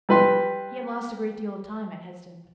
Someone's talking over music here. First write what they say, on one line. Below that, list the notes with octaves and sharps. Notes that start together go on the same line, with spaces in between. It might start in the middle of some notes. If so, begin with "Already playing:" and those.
He had lost a great deal of time at Hesdin.
G3 B4 C6